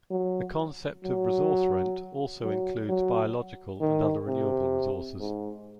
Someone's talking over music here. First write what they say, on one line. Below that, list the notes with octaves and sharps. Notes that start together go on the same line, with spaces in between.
The concept of resource rent also includes biological and other renewable resources.
F#3
F#3
F#3
F#3
D#3
C3
G#2